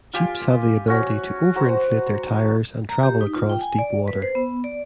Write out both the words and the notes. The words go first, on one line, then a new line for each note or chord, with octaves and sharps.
Jeeps have the ability to over-inflate their tires and travel across deep water.
F4 G4 G#5
C#4 F#4
F#4 C5 A#5
A#5
G4
D#4
F4
G5
G#5
D5
B4
C5
B3
D5